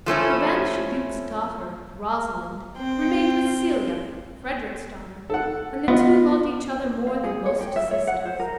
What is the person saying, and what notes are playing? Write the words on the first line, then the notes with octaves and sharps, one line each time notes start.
The banished Duke's daughter, Rosalind, remained with Celia, Frederick's daughter, and the two loved each other more than most sisters.
F3 A3 C#4 E4
C4 G5
A4 F#5
B3 F4 D#5
F5
G#4
C#5
G5
E5
C#5
F#5
C5
A#4